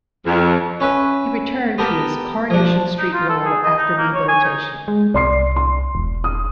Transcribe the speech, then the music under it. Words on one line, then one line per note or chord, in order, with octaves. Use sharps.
He returned to his "Coronation Street" role after rehabilitation.
F2
C#4 B4 E5
B3 G4 A4 A#4
F3 D4
D#4
F4
A4
G#4
D#5
D#4
A#3
C#5
G#5
D#4
G#3
C2 D5 C6 C7
C6
E1
D#6